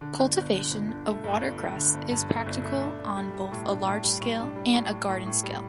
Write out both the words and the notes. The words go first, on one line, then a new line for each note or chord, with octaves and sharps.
Cultivation of watercress is practical on both a large-scale and a garden-scale.
D3
G1
G1
D3
G1
D3
A3
G2
G1
A3
D3
G1
G2
A3
G1
A3
D4
D4
G3
G3
A2
D4
A2
G3
A2
D4
G3
A2
A2
A2
A2
G3